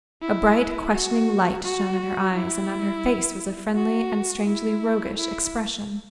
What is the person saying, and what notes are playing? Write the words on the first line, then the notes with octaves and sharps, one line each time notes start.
A bright questioning light shone in her eyes, and on her face was a friendly and strangely roguish expression.
E4
F#4
F#4
E4
F#4
E4
E4